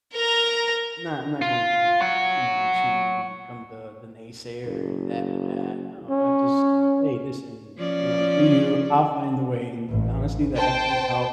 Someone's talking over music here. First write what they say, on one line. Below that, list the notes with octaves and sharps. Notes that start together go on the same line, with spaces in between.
Nah, I'm not going to in you know, intrude and become the the naysayer and, blah, blah, blah, no, I just "Hey listen, you know, do you, I'll find a way," and honestly the headphones help,
A#4 A#5
F4
C#5 F#5
F#1
C#4
F3 C#4 D5
A1
C5 G5 A5